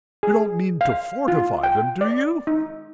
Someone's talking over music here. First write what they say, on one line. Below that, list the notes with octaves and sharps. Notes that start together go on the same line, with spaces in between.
You don't mean to fortify them, do you?'
G#4
F5
F4
G5
D5
D#4